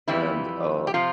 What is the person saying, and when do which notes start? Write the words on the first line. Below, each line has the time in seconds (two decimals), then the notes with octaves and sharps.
and, uh,
0.08 F2 E3 G3 E4
0.87 G4
0.94 C3 F3 F4